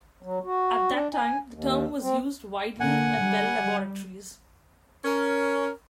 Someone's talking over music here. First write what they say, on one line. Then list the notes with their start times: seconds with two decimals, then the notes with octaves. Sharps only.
At that time, the term was used widely at Bell Laboratories.
0.23 F#3
0.44 F#4
0.90 D4
1.14 G#5
1.51 D#2
2.01 C4
2.80 D3 A#3 F#5 G#5
3.20 G3
5.04 C#4 A#4